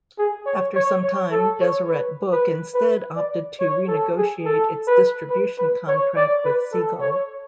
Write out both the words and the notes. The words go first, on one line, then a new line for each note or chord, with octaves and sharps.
After some time, Deseret Book instead opted to renegotiate its distribution contract with Seagull.
G#4
C#5
C#5
C#5
A4
C#5
B4
B4
B4
D5
C#5
A4
G#4
A4
B4
B4
B4
C#5
D5
B4
A4
C#5